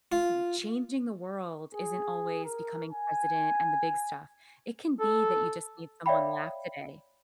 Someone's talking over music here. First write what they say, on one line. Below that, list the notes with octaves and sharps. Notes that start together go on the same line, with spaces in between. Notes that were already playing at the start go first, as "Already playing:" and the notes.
ee changing the world isn't always becoming president and the big stuff. It can be that you just made someone laugh today.
F4
G#4
A#4
G#5
A4
C#5 D5 E5 F5 G5 B5